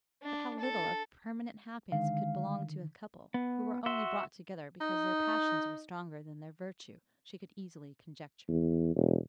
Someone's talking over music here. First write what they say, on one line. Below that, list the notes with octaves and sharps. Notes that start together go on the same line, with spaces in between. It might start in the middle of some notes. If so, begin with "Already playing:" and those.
But how little of permanent happiness could belong to a couple who were only brought together because their passions were stronger than their virtue, she could easily conjecture.
D4
A4
D3 D#3 G#3 F5
B3
F#4 E5 C6
D#4
E2
E1